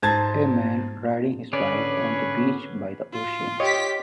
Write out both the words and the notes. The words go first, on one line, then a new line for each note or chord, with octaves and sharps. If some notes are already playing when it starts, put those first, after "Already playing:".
A man riding his bike on the beach by the ocean.
G#2 C5 A5 G#6 A6
D3 C#4 G#4 B4 C#5 D5
F4
G4 C#5 D#5 B6